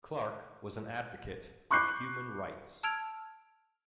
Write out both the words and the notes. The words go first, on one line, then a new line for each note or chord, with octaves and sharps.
Clarke was an advocate of human rights.
B5 C#6 D6 F#6 G6 C7
A5 E6 F6 G#6 D7 F7